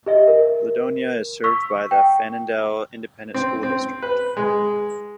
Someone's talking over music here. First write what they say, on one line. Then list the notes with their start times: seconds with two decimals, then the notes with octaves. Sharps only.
Ladonia is served by the Fannindel Independent School District.
0.06 G4 D#5 E5
0.28 A#4
1.44 C#6 E6 B6
1.91 G5
3.34 C4
3.63 C4
4.02 B4
4.37 G#3